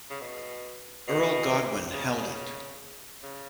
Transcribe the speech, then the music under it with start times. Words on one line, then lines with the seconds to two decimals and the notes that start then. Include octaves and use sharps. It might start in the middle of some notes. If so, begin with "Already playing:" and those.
Earl Godwin Held it.
0.10 C#3
0.21 B2
1.08 B2
1.93 C#3
3.23 C#3